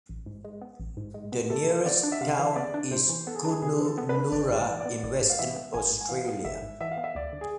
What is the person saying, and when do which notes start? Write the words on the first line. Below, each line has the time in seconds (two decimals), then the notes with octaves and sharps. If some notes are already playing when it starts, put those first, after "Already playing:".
The nearest town is Kununurra in Western Australia.
0.09 A1
0.26 G#2
0.44 G#3
0.61 B3
0.80 A1
0.97 G#2
1.14 G#3
1.32 B3
1.50 C3 A4
1.68 E3
1.85 B3 D5
2.03 D4
2.12 E5
2.21 C3 F5
2.39 E3
2.52 E5
2.56 B3 D5
2.74 D4
2.91 C3 C5
3.09 E3
3.27 B3 A4
3.35 G#4
3.45 D4
3.50 G#4
3.62 C3 G#4
3.80 E3
3.85 A4
3.98 B3
4.09 B4
4.15 D4
4.32 G#1 D5
4.50 G#2
4.56 D5
4.69 E3
4.80 D5
4.86 B3
5.03 G#1 D5
5.21 G#2
5.30 F5
5.39 E3 E5
5.56 B3
5.74 G#1 G#5
5.92 G#2
6.01 G#5
6.09 E3 F5
6.27 B3
6.44 G#1 E5
6.62 G#2
6.81 E3 E5
6.91 F5
6.98 B3
7.04 E5
7.15 D2 D5
7.33 D3
7.41 G#4